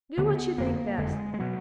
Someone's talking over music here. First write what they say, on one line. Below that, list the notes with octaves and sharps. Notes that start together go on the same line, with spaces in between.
Do what you think best.
D2 D3 B3
F1 F2 D3 A#3
F#1 F2 D3 G#3
G#3
B2 F#3